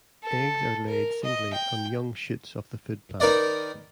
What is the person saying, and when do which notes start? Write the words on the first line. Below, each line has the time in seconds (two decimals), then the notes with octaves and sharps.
Eggs are laid singly on young shoots of the food plant.
0.23 A4
0.87 A#4
1.24 D#5
1.53 G5
3.20 D#3 D#4 A#4 B4 D5 D#5